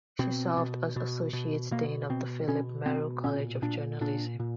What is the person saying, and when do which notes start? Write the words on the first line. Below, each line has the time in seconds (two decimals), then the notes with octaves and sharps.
She served as associate dean of the Philip Merrill College of Journalism.
0.19 B2 C4
0.57 B2
0.96 B2
1.33 B2
1.71 B2 A#3
2.10 B2 C4
2.48 B2 C#4
2.86 B2 C4
3.24 A#2 C#4
3.62 A#2 D4
4.01 A#2 D4
4.40 A#2